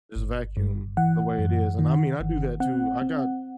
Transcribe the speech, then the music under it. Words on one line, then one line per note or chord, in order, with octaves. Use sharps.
just vacuum the way it is, and I mean, I do that too, I got
G1
G2
E3 F#5
F#2
D#3
G1
C4 F#5
C4